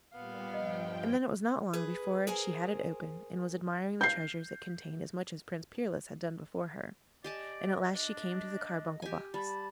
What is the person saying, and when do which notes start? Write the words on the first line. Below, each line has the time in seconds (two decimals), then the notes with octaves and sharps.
And then it was not long before she had it open, and was admiring the treasures it contained as much as Prince Peerless had done before her, and at last she came to the carbuncle box.
0.13 A#2 G3 B3 F5
0.54 G2 F3 D#5 G5
1.73 G#4 B4
2.27 G#4 A#4 C5 G#5
4.01 G6 C7
7.24 G4 D5 D#5 G#5 A5
7.95 D4
9.02 G4 G#5
9.34 G3 A5 B5